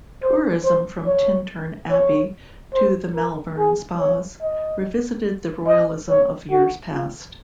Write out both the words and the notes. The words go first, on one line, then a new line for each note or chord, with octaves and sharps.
Tourism from Tintern Abbey to the Malvern Spas revisited the royalism of years past.
C5
C5
C#5
C#5
C5
A#4
G#4
C#5
D#5
D#5
C#5
F#4
F4